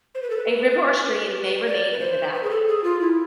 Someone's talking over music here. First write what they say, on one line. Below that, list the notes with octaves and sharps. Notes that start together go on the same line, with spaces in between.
A river or stream may remain in the valley.
C5
B4
A4
B4
D5
B4
C5
B4
G#4
A4
G#4
F4
E4